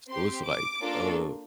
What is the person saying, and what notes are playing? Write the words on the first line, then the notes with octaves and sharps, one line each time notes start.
So it's like, uh,
C4 G4 C6
D6
A#3 D4 F4 A4